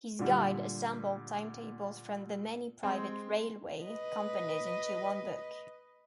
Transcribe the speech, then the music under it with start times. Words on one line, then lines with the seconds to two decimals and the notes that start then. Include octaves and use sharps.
His guide assembled timetables from the many private railway companies into one book.
0.19 A#2 D3 G3
2.83 G#3 C4
3.83 B4 D#5